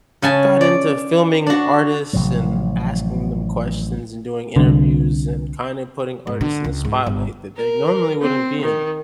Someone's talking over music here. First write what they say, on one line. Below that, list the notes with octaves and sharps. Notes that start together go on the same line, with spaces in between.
got into filming artists and asking them questions and doing interviews and kind of putting artists in the spotlight that they normally wouldn't be in,
C#3 G#5 A5
D5
D4 F#4
A1 C3 F3 F#3
C2 D3
G#2
D3
C#2
G#2
G1
A#4
C4
D#3